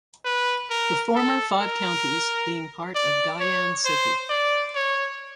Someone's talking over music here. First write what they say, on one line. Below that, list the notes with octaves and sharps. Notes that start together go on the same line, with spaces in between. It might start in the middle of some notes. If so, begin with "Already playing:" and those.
The former five counties being part of Guyuan city.
B4
A#4
A4
A#4
D5
C#5
C5
D5
C#5